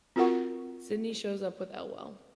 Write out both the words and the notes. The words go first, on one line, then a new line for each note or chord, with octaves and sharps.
Sidney shows up with Elwell.
C4 F4 F#4 A#4 F#5 C#6